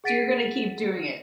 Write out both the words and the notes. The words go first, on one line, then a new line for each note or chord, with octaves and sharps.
So, you're gonna keep doing it.
G#4 F#5 A6 B6 D7 D#7